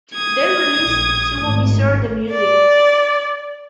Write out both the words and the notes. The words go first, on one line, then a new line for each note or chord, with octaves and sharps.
They release suomisaundi music.
D#6 G#6
A#1
G#1 A2
D5